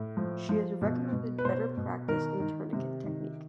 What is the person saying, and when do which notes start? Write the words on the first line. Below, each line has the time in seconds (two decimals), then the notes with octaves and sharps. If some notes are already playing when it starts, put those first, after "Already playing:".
She has recommended better practice in tourniquet technique.
Already playing: A2
0.17 F3
0.49 F3
0.82 B2
1.13 B2
1.38 B4
1.45 B2 C5
1.77 B2
2.08 D#3 A#4
2.40 D#3
2.73 C3
3.04 D#3